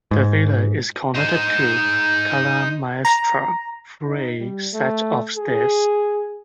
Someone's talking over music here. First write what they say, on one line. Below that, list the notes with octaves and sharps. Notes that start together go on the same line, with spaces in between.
The Villa is connected to "Cala Maestra" through a set of stairs.
G#2
D#4 C5
A#5
D#4
G3
A3
G#4